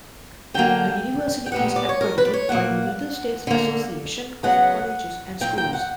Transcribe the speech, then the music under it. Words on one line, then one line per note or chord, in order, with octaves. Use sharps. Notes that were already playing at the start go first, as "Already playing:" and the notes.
The University is accredited by the Middle States Association of Colleges and Schools.
D3 F#3 A#3 G5
G5
A#2 G3 B3 F#5
D5
C#5
A#4
B4
D5
C#5
A#2 A#3 F#5
D3 A#3
C#3 F#3 B3 F#5
A#2 A#3 G5
G5
F#5